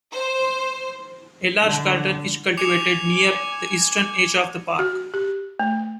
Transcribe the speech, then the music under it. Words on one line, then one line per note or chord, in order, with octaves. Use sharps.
A large garden is cultivated near the eastern edge of the park.
C5
D3
G#5 D6 C#7 F7
F#4
G4
A3